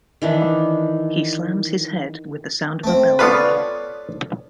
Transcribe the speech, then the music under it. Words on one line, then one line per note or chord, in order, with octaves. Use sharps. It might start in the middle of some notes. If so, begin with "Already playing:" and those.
He slams his head, with the sound of a bell ringing.
D#3 E3 D4
A3 C4
B3 F4 A4 B4 C#5 D5